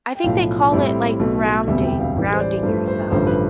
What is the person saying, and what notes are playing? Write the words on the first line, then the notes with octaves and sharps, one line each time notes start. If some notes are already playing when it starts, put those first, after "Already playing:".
I think they call it like grounding. Grounding yourself.
G5
B1 A2 F3 F5
A2 G3 C4 E4
B1 B2 A3
E1 D2 C3 G3 B3 E5
G5
F5
A1 A2 E3 G3
C5
D5
G2 F3 A3 C5
C5
A1 G2 D3 F3 C5
B4